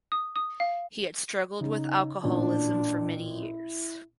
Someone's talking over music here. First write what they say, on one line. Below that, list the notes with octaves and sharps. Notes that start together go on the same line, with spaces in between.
He had struggled with alcoholism for many years.
D#6
D#6
F5
C#3 D#4
A1 A#2 D4
E4